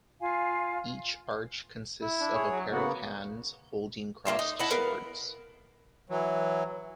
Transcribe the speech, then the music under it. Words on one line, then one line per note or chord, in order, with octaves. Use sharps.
Each arch consists of a pair of hands holding crossed swords.
F4 F5 G#5
E4
D4
G#4 C#5
F#3
C#3 A#3 B3 F#4
A#3 C4 F4 E5
D#4
E4 D#5 F#5 A5
B3 A#4 F5
E3 F#3